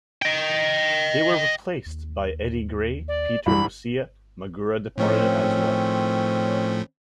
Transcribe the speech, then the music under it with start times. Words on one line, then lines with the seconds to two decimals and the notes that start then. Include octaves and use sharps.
They were replaced by Eddie Gray and Peter Lucia; Magura departed as well.
0.22 D#5 G5
1.86 D#2
3.08 D5
3.46 C2 F#2 E3 B5
4.98 A2 D#3 F3 A3 C4 C#4